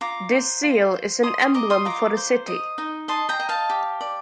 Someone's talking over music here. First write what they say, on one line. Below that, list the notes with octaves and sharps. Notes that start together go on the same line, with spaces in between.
This seal is an emblem for the city.
F4 A#5 D6
C5
F4
C5
D#5 C6 D#6
C6 D#6
D#5 A#5 D6
C6 D#6
F4 A#5 D6
C5
D#5
D#4
D#5 A5 C6
G5 A#5
D#5
F5 A5
G4
D5